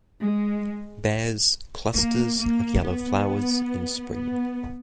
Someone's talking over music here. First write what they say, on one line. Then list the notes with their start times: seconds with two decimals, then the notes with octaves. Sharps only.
Bears clusters of yellow flowers in spring.
0.21 G#3
1.95 A#3
2.39 A#3
2.82 B3
4.13 B3